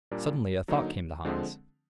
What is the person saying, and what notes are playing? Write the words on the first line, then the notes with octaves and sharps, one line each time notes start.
Suddenly a thought came to Hans.
A#2 G3 A#3 D4
D3 F#3 A#3 D#4
D3 F3 G#3 C4